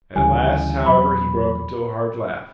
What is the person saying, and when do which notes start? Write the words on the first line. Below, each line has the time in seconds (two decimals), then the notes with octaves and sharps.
At last, however, he broke into a hard laugh.
0.15 D2 C#3 E3 G3 G#5
0.86 E2 B2 F#3 B5